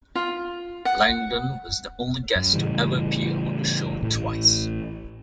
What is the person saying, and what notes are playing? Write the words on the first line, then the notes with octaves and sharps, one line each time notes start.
Langdon was the only guest to ever appear on the show twice.
F4
F#5
F#2
A2 C#3 E3 G3
A1 A2